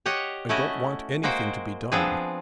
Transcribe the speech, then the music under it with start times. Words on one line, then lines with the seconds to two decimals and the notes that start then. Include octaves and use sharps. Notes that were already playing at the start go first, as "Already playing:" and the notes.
I don't want anything to be done.
0.06 G4 C#5 D#5 F#5
0.49 A3 C#4 E4 F#4 D#5
1.23 G#3 A#3 F#4 C5 G5
1.92 F3 B3 C4 D4 G#4